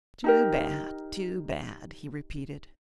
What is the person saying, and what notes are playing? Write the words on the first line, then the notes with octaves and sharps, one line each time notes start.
"Too bad, too bad," he repeated.
D#4 G4 A#4